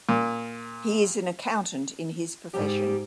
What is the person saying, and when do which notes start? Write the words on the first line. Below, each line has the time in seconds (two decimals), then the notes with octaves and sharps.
He is an Accountant in his profession.
0.09 A#2
2.53 G#2 G3 G4